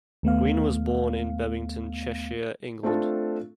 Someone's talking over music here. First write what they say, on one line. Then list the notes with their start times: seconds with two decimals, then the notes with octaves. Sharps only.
Green was born in Bebington, Cheshire, England.
0.23 D#2 A3 B3 F5
2.83 A3 C4 D4 F4 A4